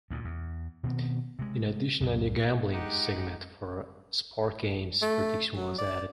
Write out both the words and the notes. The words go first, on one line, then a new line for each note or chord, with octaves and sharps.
In addition a new gambling segment for sport games prediction was added.
D2 A#2
E2
B2 D#3 B3 C4
C3 G#3
C2 F#2 C3
G#3 D#4 G4 F#5
A3
F#3
D5